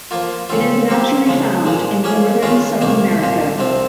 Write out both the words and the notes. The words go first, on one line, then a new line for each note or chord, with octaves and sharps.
It is naturally found in northern South America.
F3 A#3 F4
C#3 F3 C4 F4
F3 C4 G4
C#3 F3 G#3
A#2 F3 G#3
F3 A#3 C#4 G#4
G2 D#3 G#3 C#4 F4
C2 C3 D#3 A#3 D#4
C2 A#2 F3
C2 C3 F3 C4